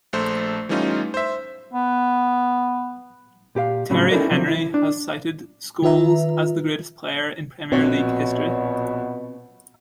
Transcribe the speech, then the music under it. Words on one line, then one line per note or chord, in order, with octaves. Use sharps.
Thierry Henry has cited Scholes as the greatest player in Premier League history.
A#1 A3 A4 C5
E3 G3 A3 C#4 D#4 F4
C5 E5
B3
A#2 G4 A#4 F5
A2 C#3 F#3 C4 B5
C#4 D#4 E4 A4 A#4 D5
C3 F3 F#3 C4
E4
D4
D#3 F4 B4 E5 A#5
A#1 B2 C4 F#4 C#5